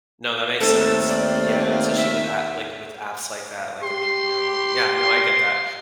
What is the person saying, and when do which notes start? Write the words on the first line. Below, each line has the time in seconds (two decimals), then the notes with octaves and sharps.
No, that makes sense, uh, yeah, especially with a like, with apps like that, like, Indeed, you know? Yeah, no, I get that.
0.60 D#2 A3 C4 A4
1.08 D5
1.96 E5
3.84 G4 C6